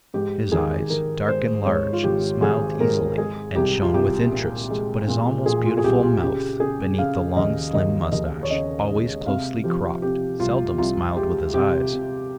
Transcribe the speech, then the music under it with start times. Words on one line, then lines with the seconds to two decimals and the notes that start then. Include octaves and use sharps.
His eyes, dark and large, smiled easily, and shone with interest, but his almost beautiful mouth, beneath the long slim mustache, always closely cropped, seldom smiled with his eyes.
0.14 G#2 G4
0.52 D#3 G#4
0.90 D#3 A#4
1.28 G#2 C5
1.65 G#2 C#5
1.93 F4
2.04 G#1 G4
2.41 G#1 G#4
2.80 G#2 A#4
3.18 G#3 G#4
3.55 C2 G4
3.82 F4
3.94 C2 G4
4.32 A#2
4.70 G#3
5.08 A#2
5.46 A#2 G#4
5.65 F4
5.77 G#4
5.84 C2 G4
6.03 F4
6.22 C#3 G4
6.60 C#3 G#4
6.98 C#3 F5
7.36 D#2 D#5
7.74 D#2 D#5
8.12 D#2 D#5
8.43 C#5
8.50 C#3 D#5
8.89 G#3
9.26 C3 F5
9.64 F3 G4
10.02 C3 G4
10.40 C2 F4
10.78 C2 F4
11.16 G#3 G4
11.54 C3 G4
11.92 C3